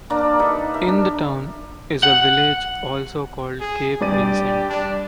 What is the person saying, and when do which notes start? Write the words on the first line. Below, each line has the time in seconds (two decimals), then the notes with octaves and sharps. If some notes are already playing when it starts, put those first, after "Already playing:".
In the town is a village also called Cape Vincent.
0.10 A#3 D4 A#4 D5
0.39 D#4 A4 B4
0.74 A#4 E5
0.88 D4
2.03 F#5
3.61 G#4
4.01 G2 G4 D5 D#7
4.69 D4